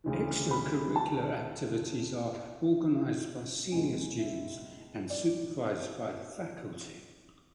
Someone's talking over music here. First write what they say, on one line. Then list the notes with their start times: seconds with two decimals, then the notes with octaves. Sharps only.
Extracurricular activities are organised by senior students and supervised by faculty.
0.04 D2 C#3 E3
0.51 B5
0.96 A5
3.72 C#2 B2 G#5
4.19 E5
5.10 D5